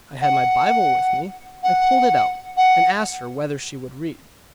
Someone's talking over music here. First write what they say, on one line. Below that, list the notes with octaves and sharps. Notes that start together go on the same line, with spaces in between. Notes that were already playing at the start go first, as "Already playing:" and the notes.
I had my Bible with me, I pulled it out, and asked her whether she would read.
F#5
F#5
F#5